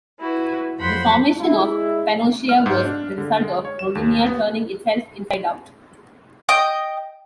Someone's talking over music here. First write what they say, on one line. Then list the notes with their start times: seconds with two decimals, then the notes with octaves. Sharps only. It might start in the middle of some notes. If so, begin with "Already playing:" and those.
The formation of Pannotia was the result of Rodinia turning itself inside out.
0.20 E4 F#4 B4
0.78 F2 F#3 C5 F#5 B5 C6
1.41 G#3 E4
2.49 F6
2.66 G#2
2.85 D4
3.18 D3
3.42 G#3
3.65 C#5
3.79 E7
3.95 D#2
4.26 B3
6.49 D#5 G5 D#6